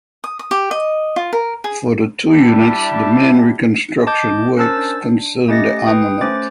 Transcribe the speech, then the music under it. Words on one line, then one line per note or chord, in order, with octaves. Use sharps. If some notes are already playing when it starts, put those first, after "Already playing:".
For the two units the main reconstruction works concerned the armament.
D#6
D#6
G4
D#5
F4
A#4
G#4
G3 D4 E4 G4 E5 A5
D#5 A5 D6 G6
C#4 A#4 C5 A5 E6 A6
D4
A3 C#4 G4 D#5 A6 A#6
B4 G5 D#6
A3 C#4 C5 D6 A6